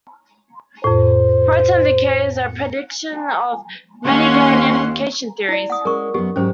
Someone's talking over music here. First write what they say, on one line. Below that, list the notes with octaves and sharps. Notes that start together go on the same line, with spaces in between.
Proton decay is a prediction of many grand unification theories.
F2 A2 C5
D#2 C#4 F#5 C6
E4 D5
F#5 D#6
G#3 C#4 A#4 C#6
F#2 B3 G4
G#2 F#3 C#4 G4 C5